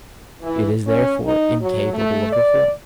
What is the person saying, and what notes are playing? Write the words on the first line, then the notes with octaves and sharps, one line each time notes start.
It is, therefore, incapable of reform.
E3
C#4
D#4
F#3
A3
D5